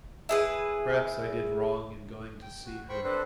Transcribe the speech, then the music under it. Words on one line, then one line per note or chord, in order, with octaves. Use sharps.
Perhaps I did wrong in going to see her.
E4 G#4 B4
G5
F#4
C5 G5 B5 C#6
C4 D4 A4 B4 C5